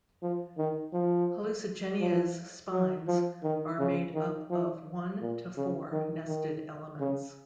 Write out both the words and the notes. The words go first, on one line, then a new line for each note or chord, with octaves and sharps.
"Hallucigenia"'s spines are made up of one to four nested elements.
F3
D#3
F3
F3
F#3
F3
D#3
C#3
D#3
F3
A#2
C#3
D#3
D#3
C#3